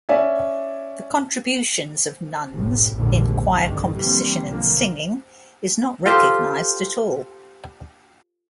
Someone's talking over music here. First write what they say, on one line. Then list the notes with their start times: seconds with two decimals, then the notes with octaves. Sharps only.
The contributions of nuns, in choir composition and singing, is not recognized at all.
0.09 C#4 D5 E5 G#5
2.52 F#1 B1 F#2 A2 C3
2.92 F1 A#1 D#2 G#2 D3
3.53 F#1 C2 G2 D3 D#3
3.94 D3 E3 G3 A#3 C4
4.45 B1 D3 F3 A#3
6.06 F4 G4 A4 C5